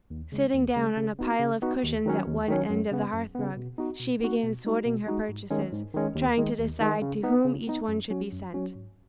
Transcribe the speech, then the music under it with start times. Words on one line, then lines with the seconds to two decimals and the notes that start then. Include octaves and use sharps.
Sitting down on a pile of cushions at one end of the hearth-rug, she began sorting her purchases, trying to decide to whom each one should be sent.
0.10 D#2
0.32 C#3 G#3
0.54 D#2
0.76 C#3 G#3
0.97 C#3
1.19 B3 D#4 F#4
1.40 C#3
1.62 B3 D#4 F#4
1.83 D#2
2.06 D#3 F#3 C#4
2.27 D#2
2.48 D#3 F#3 C#4
2.70 F#2
2.92 C#3 B3
3.13 F#2
3.35 C#3 B3
3.57 B2
3.78 B3 D#4 F#4
4.00 B2
4.21 B3 D#4 F#4
4.43 B2
4.65 G#3 D#4 F#4
4.85 B2
5.07 G#3 D#4 F#4
5.29 G#2
5.50 D#3 G#3 C#4
5.72 G#2
5.94 D#3 G#3 C#4
6.15 D#2
6.38 D#3 G#3
6.59 D#2
6.81 D#3 G#3
7.02 C#3
7.24 B3 D#4
7.45 C#3
7.67 B3 D#4
7.88 F#2
8.10 F#3 C#4 F#4
8.32 F#2
8.54 F#3 C#4 F#4
8.75 G#2